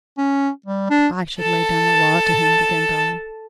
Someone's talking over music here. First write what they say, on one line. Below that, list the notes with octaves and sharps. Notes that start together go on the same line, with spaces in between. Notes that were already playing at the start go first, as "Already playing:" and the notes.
"I should lay down the law to him--" began Dolly.
C#4
G3
D4
A4 A5